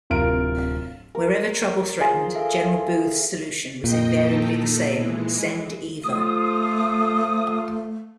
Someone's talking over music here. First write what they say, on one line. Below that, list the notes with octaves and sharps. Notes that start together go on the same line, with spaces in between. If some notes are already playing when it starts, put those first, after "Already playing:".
Wherever trouble threatened, General Booth's solution was invariably the same, 'Send Eva!'.
D1 C3 F4 A#4 D7
A#4
F4 G#4 C5
A4 E5 F5
F2 A#2 D#5 G5
D#3 D#4 A4
E3 G#3
A3 F4 A4 C5 D#6